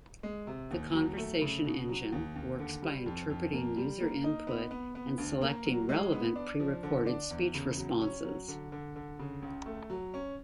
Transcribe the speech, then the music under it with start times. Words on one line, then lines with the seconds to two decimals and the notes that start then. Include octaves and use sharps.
The conversation engine works by interpreting user input and selecting relevant pre-recorded speech responses.
0.23 G#3
0.47 C3
0.71 D#2
0.93 F#3
1.17 A3
1.41 C#3
1.65 B2
1.88 F#3
2.12 D#2
2.36 D#2
2.59 D3
2.83 G3
3.06 F2
3.30 F2
3.53 A#3
3.77 G3
4.01 A#3
4.24 D#4
4.47 B3
4.71 B3
4.95 B3
5.18 D2
5.41 A#3
5.65 F#3
5.89 G#3
6.12 B3
6.36 D4
6.60 F3
6.83 D3
7.07 D4
7.31 E2
7.55 C#3
7.77 F#3
8.01 C#4
8.25 F#3
8.48 D3
8.72 D3
8.96 D3
9.19 C#3
9.42 C#2
9.66 A3
9.90 F#3
10.14 C#4